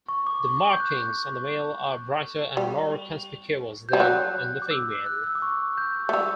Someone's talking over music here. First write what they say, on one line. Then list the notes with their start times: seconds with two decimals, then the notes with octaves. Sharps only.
The markings on the male are brighter and more conspicuous than in the female.
0.09 C#6
0.27 D6
0.44 C#6
0.73 G6
0.80 F#6
2.57 G3
3.89 G3 G6
4.00 F#3 F#6
4.36 F#6
4.62 D6
4.71 E6
4.89 E6
5.06 F#6
5.24 E6
5.35 D6
5.42 C#6
5.78 G6
6.09 A3
6.13 G3 E6